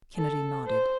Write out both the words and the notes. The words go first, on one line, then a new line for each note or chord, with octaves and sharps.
Kennedy nodded.
A4
C5